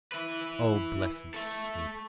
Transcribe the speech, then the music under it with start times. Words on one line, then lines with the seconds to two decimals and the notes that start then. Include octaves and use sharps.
O blessed sleep!
0.12 E4 B4
1.34 A4 E5